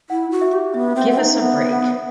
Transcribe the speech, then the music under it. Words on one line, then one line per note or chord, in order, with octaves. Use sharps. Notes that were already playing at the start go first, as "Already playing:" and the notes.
Give us a break.
E4 F#5
F#4
E5
G4
B3 E5
C4
E5
C4 F#5
D#4
B3 E5
F#5